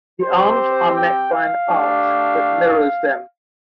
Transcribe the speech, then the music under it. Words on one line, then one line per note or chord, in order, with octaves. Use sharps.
The arms are met by an arch that mirrors them.
C4 G4 C5
G5
F5
A3 D4 G4